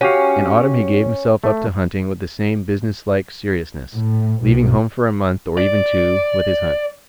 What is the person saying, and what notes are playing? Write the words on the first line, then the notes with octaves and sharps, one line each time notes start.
In autumn he gave himself up to hunting with the same business-like seriousness--leaving home for a month, or even two, with his hunt.
C#4 F#4 G4 F5
A3
A2
B1
D5